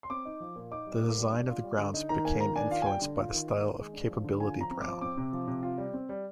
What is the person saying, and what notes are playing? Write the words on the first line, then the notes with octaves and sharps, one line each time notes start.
The design of the grounds became influenced by the style of Capability Brown.
C6
C4 D6
D#4
F3
A#2
D#4 D6
G3
A#3
G3
D4
F4
G3
D3
D#4
D#3 A#5
A#3 G#5
D#3 A#5
D4 G#5
F4 F5
G#5
G3 G5
D3
F4
D#3
A#3
D#3
G#3
D4
F3
D3
F4 G#5
F3
A#5
C4
F3 D6
C4 D6
C3
F3
C3
F4
G3
C4
G3